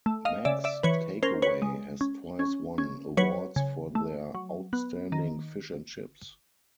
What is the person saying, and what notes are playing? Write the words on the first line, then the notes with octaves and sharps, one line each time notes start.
"Macs Takeaway" has twice won awards for their outstanding fish and chips.
A3
D#5 F5
C#3 D5 E5
D5 E5
E3 B4 C#5
C#4 A#4 C5
B4 C#5
G#3
C#4
C#4
C#4
F#3 B4 C#5
C#3
A3
F#3
B3
D#3